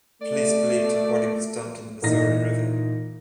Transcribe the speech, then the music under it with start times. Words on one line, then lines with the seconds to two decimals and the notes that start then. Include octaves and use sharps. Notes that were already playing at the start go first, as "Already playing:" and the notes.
Police believed her body was dumped in the Missouri River.
0.21 A3 D5
2.02 A#2 E3 D#4 A#6